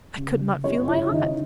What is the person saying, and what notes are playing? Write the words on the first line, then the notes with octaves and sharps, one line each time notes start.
I could not feel my heart.
C#3
F#1 C#4 C#5
E4 E5
D#3 D#4 D#5